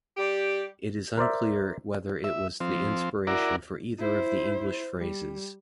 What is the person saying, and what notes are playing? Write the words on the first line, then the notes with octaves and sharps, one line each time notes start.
It is unclear whether it was the inspiration for either of the English phrases.
G3 G4
A#4 C5 D5 E5
E5
F3 C4
E4 F#4 A#4 D5
E4 C5
G3